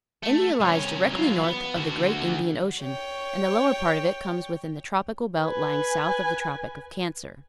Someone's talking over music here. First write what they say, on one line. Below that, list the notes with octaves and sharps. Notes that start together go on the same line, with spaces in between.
India lies directly north of the great Indian Ocean, and the lower part of it comes within the tropical belt lying south of the Tropic of Cancer.
A3
C2 C#4
F#3 F4
B3
D3 F#4
C#5 G5
B4 G#5